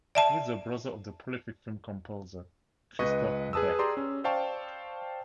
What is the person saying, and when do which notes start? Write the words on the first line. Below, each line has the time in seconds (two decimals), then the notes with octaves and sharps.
He is a brother of the prolific film composer Christophe Beck.
0.15 D5 E5 A5
2.99 C#2 B4 D#5 C#6
3.53 G#4 B4 A5 D#6 E6
3.79 G4 G#4 D5 A#5 C6
3.97 C#4
4.24 C5 D5 F5 G5 A5 C#6